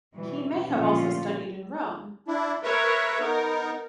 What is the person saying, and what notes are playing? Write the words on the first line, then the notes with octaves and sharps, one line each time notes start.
He may also have studied in Rome.
B2 E3 G3
A#2 D3 F3 A3 C#4 F4
D4 E4
A#4 B4 C#5 E5
B3 D#4 A#4